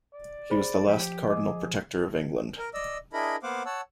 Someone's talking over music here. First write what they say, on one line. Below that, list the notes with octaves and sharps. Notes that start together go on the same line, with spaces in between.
He was the last cardinal protector of England.
D5
G#4 C5 B5
F3 G4
G#4 D#5 D6
A#4
D5 D#5 E6
D4 E4 G#4 A#4 D#5 B5
A#3 B3 C5 F5 F#5 D6
C#5 F#5 A5 E6